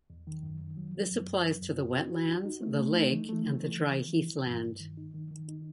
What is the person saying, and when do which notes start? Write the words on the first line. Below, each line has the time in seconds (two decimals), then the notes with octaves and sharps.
This applies to the wetlands, the lake and the dry heathland.
0.10 E2
0.27 D#3
0.43 F#2
0.60 D#3
0.77 F#3
0.94 F#3
1.11 F#2
1.28 F#2
1.44 F#3
1.61 F#2
1.78 F#4
1.95 F#4
2.12 F#4
2.29 D#4
2.45 D#4
2.62 A3
2.79 A3
2.96 D#4
3.12 E3
3.29 A3
3.46 E3
3.63 E3
3.79 E3
3.97 E3
4.13 E4
4.31 E3
4.47 G2
4.64 G2
4.80 D#3
4.97 D#4
5.14 D#3
5.31 D#3
5.48 D#4